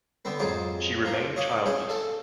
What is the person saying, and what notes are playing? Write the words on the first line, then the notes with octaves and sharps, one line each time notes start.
She remained childless.
D3 B3 C4 B4
F2 G#2 F#3 F4 G#4 D6
F3 A#3
C#5 D#5 F5 D6
G#3 C#4 F5 G5
A4